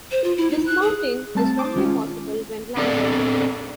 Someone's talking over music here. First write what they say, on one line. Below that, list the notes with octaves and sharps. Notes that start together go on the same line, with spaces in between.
Dismounting is only possible when landed.
C5
F4
E4
D#4
F#6
G#4
G3 A3 C4 A5 A6
C5 D6 D#6
D#3 G#3 C#4 F4
B3 C4 D4 A4 D5 F5